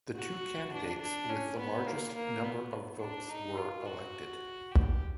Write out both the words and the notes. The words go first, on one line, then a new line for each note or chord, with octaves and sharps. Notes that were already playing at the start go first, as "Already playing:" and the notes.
The two candidates with the largest number of votes were elected.
F#4
D4
D4
C#4
B3
A#3
A#3
B3
D4
D#4
F4
F#4
G4